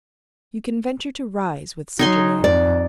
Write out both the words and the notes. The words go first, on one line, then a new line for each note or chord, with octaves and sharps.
You can venture to rise with such a name.
F#3 D#4 G#5 C6
F2 D5